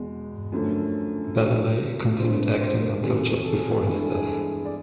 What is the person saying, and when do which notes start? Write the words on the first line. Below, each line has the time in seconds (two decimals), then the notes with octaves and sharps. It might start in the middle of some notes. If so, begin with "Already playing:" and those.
Baddeley continued acting until just before his death.
Already playing: E2 B2 G#3
0.52 F#2 D3 F3 A3 C#4
1.36 G2 D3 F#3 B3
2.19 G2 D3 F3 G#3 C4 C5
2.40 B4
2.61 C5
2.82 A#4
3.03 E2 C3 D#3 F#3 G#4
3.17 A4
3.30 G#4
3.45 A4
3.59 G#4
3.71 A4
3.85 G2 E3 G#3 B3 G#4
3.99 A4
4.13 G#4
4.27 A4
4.41 G#4
4.65 D5